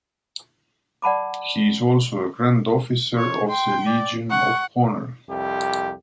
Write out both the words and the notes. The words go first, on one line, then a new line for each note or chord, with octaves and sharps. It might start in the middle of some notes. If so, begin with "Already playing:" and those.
He is also a Grand Officer of the Legion of Honour.
D5 F#5 A5 B5 D6
C#5
G5 C6
D5
F#5 C#6
C2 F2 G4